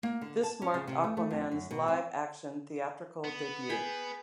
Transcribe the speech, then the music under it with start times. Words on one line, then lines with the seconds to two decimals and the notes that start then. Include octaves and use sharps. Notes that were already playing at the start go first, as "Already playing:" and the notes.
This marked Aquaman's live action theatrical debut.
0.03 A#3
0.21 D3
0.43 A5
0.62 C#4
0.74 C#3
0.87 C3
1.04 A3
1.17 A3
1.31 F2
1.52 F#2
1.71 B2
1.88 C4
3.24 B3
3.70 G#4 G5 B5